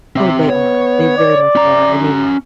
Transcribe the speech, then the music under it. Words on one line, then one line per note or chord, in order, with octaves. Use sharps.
Oh, they are. They very much are. I mean,
C4 E5
B3 C#5
D5
C#4 A#5